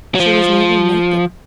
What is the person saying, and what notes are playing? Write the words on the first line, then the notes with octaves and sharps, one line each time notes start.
She was nearly naked.
F#3
F3